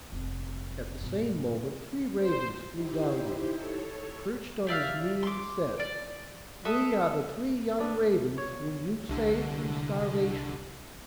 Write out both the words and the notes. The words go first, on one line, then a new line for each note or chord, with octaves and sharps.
At the same moment three ravens flew down to him, perched on his knee and said, 'We are the three young ravens whom you saved from starvation.
F1
G2 B2
C5
D#4 E4 G4 C5
A4 C#5
G4 D5 E5 F5
C6 D6
D5
A4 B4 E5 D#6
B3 D4
C#5
C2 D3